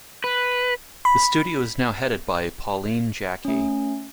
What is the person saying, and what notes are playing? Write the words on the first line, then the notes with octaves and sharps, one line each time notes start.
The studio is now headed by Pauline Jacquey.
B4
B5
A3 C#4